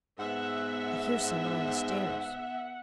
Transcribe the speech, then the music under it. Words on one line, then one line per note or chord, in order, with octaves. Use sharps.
"I hear some one on the stairs."
G#2 B3 E5 F#5